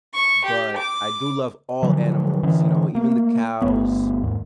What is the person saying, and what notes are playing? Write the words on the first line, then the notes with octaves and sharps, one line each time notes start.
but I do love all animals, you know, even the cows,
C#6
G4
D6
D3 D#3 F3 F#3
D3 E3 C#4
A3 A#3
G1 F2 A3 B3
D#2 G#2